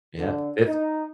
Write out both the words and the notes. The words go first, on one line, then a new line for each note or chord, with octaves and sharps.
Yeah, fif
D3
D#4